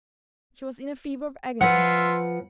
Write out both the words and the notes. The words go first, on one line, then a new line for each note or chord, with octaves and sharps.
She was in a fever of agony.
F3 F4 B4 E5 F#5